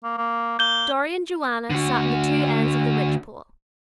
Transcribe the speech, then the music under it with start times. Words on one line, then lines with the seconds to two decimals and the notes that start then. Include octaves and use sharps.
Dorry and Joanna sat on the two ends of the ridge-pole.
0.04 A#3
0.18 A#3
0.59 A#3 G6 G7
1.70 D3 F#4